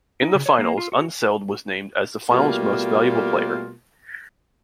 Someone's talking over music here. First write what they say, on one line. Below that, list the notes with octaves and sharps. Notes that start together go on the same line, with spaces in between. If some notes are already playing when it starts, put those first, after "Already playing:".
In the Finals, Unseld was named as the Finals Most Valuable Player.
D#4
C#3
C#5
A#3
F4
F#4
B2 G3 A3 A#3 F4